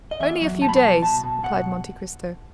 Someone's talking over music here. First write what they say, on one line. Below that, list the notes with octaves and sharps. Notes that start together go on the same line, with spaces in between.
"Only a few days," replied Monte Cristo.
D#5
E2 E5
F#3
B2 A5
B5
A5
B2
B2 A5
B2
B2 F#5